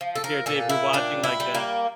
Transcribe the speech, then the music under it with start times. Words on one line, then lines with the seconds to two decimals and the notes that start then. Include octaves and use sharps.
compared to if you're watching, like, a
0.01 F3
0.15 A4
0.24 A#4
0.46 A#2 A4
0.69 E4
0.93 G3 D4
1.24 E4
1.40 G3
1.55 A#3